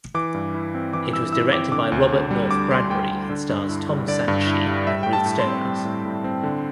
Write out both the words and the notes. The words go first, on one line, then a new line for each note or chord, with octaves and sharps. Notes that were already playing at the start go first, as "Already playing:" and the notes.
It was directed by Robert North Bradbury and stars Tom Santschi and Ruth Stonehouse.
E3 D6
G2
E4
C4
E3 D6
G2 E6
E4 E6
C4 D6
D3 D6
D2
D2
G3
D3 D6
D2 C6
D2 G5
G3
D3
G2
E4
G3
D3 D5
G2
E4
G3
G3 E5
A2 G5
A5
A2
C6
C4
G3
A2
A2
C4
D3